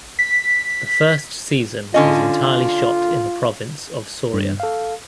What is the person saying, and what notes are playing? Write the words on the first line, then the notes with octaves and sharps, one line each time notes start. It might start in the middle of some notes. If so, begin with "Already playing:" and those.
The first season was entirely shot in the province of Soria.
B6
D3 C#4 F4 D#5
G2
A4 F5